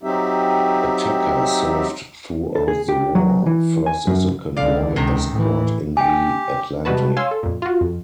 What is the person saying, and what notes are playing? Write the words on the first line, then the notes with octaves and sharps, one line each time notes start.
"Attacker" served throughout the war, first as a convoy escort in the Atlantic.
F#3 C4 D#4 G4 E5
A4
G#4
G4
F#3
E3
G#5
F#2
C#2 D3 D5 F5
C#2 C3 D#3
A2 E3
G4 G5 G#5
C3 G3 G#3 F#4 B4 A5
C#5 F5 G#5 C6 E6
A4
F2 A#2
F4 F#4
F2